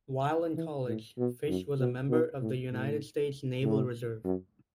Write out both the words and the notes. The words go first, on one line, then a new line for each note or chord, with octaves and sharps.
While in college, Fish was a member of the United States Naval Reserve.
E3
A2
B2
F#2
B2
B2
A2
A2
A2
F#2